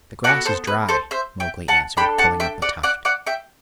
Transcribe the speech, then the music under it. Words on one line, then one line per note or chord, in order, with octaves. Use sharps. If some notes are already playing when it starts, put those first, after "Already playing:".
"The grass is dry," Mowgli answered, pulling up a tuft.
B3 F#4 A4 D5 F#5
A4 C5
B4
A4 C5
C5 E5
E5 G5
F#5 A5
D4 A4 G5 B5
F#5 A5
E5 G5
D5 F#5
D5 F#5
D5 F#5
E5 G5